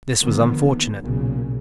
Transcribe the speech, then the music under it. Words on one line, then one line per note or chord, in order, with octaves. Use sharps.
This was unfortunate.
D3 D#3 F3 A#3 B3
B1 A#2 C#3